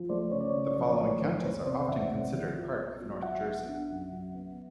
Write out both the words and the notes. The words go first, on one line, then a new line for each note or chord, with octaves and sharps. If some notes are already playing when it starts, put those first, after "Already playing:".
The following counties are often considered part of North Jersey.
Already playing: F3
A3 C5 D5
C#3 C#5
D5
C#5
C#3 D5
C#5
F3 D5
C#5
D5
A3 B4 C#5
E3 A#4 C5
C5
E2 B4 C#5
C3 C5 D5
E2 E5 F#5
C3
E3
F4
B3
F#3
F#3 E5 F#5
B3
D4
F#2
F#2
B3